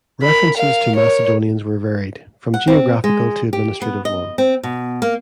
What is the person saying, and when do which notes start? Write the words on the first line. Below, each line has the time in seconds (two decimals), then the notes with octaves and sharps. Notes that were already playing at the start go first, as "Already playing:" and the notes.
References to "Macedonians" were varied, from geographical to administrative one.
0.22 A#4 B5
0.54 A#4 F5
0.96 A#4 C#5
2.54 F#5
2.68 C4
3.04 G#3
3.53 G4
3.82 B3
4.05 D#5
4.38 C4
4.63 B2
5.02 A#3